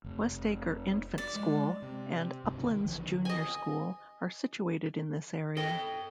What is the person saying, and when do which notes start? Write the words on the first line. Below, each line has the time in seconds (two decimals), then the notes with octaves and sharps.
Westacre Infant school and Uplands Junior school are situated in this area.
0.04 F1
1.18 D5
1.36 G#3
1.82 C3
2.44 C#2 G2 C3
2.63 D#3
2.85 A#1 D3 E3 F3
3.25 D#5 G#5
5.57 A4 D#5 G5